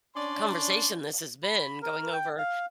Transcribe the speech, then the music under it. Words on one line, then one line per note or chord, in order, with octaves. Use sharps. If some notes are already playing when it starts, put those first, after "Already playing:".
conversation this has been, going over
C#4 D4 D5 C6
B5
A#4
G5
F5